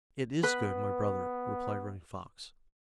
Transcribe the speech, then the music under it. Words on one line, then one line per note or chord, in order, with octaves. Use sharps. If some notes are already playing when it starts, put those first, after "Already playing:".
"It is good, my brother," replied Running Fox.
B3 B4